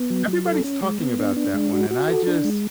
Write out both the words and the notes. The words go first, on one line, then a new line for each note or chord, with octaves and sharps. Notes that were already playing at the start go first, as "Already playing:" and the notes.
Everybody's talking about that one, and I just
Already playing: B3
F#3
F#3
A4
C#4
G#3
B3
D4
D4
G#3
F#4
F#4
A4
D4
G#3